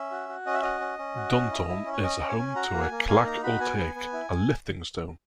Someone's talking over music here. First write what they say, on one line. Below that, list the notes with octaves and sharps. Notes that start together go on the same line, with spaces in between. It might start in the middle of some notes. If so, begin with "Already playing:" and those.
Duntulm is home to a clach-ultaich, a lifting stone.
Already playing: C#4 E5
F#4
F#4
C#4 D#5
E5
F#4 D#5
C#4
C#4
F#4
C#4
E4
E4
C#4
C#5
C#4 D#5
C#4
G#5
C#4
F#4 A#5
A#3
G#5
A#3
A#3 G#5
D#4 A#5
F#4 B5
B3 G#5
B3
B3
E4